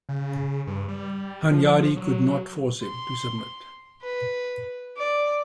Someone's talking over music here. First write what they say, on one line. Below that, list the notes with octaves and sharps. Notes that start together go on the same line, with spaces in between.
Hunyadi could not force him to submit.
C#3
G2
G3
F3
F#3
C6
B4
D5